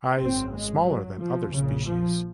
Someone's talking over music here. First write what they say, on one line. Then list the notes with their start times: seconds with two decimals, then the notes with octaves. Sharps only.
Eyes smaller than other species.
0.19 G#1 F#2 C#3 C4
0.53 G#3
0.85 F#3
1.18 F3
1.51 A#1 A#2 C#3
1.84 F3